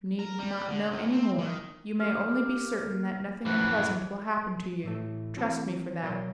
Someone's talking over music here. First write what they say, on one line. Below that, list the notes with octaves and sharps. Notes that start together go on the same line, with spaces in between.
You need not know any more: you may only be certain that nothing unpleasant will happen to you; trust me for that.
A#4
G3
D3
C#2
C4
D#3
A3 G4 F6
A#3
F#2 E3 F3 B4
A2 E3 A3
E3 C4 F#4 G4 A5 B5
B1 F#3 A#4 B4 D5 C6